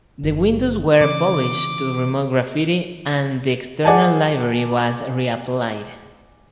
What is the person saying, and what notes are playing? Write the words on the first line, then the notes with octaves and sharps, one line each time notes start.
The windows were polished to remove graffiti, and the external livery was re-applied.
F#1
C#3 E3 C#4 D6
G#4 D5 F#5 G#5 A5